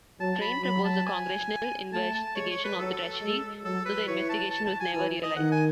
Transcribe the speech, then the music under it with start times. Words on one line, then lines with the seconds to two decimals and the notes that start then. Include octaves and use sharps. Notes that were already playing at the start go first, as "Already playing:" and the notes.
Train proposed a Congressional investigation of the Treasury-though the investigation was never realized.
0.20 F#3 A5
0.41 B5
0.63 F#3 B5
0.85 A5
1.06 G#5
1.92 A3 A5
2.14 A5
2.35 G#3 C#5
2.50 C#5
2.64 B4
2.79 F#3 A4
3.21 G#3
3.64 F#3 A4
3.86 B4
4.07 E3 C#5
4.29 A5
4.51 A5
4.65 A5
4.80 G#5
4.94 E3 G#5
5.23 D#5
5.36 D#3 F#5
5.52 G#5